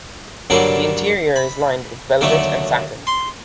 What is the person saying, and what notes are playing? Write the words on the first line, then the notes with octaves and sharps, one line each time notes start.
The interior is lined with velvet and satin.
G2 D3 F#3 A#3
B5
D#2 D3 F#3 A3
C6